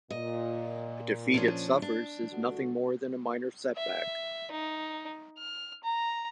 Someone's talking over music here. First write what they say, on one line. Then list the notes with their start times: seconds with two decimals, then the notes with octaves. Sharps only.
A defeat it suffers is nothing more than a minor setback.
0.10 A#2 D#5
1.34 F3 C#4 D4
1.82 D4
2.30 G1 A3 F#4
3.76 E5
4.51 D#4
5.38 F6
5.84 A#5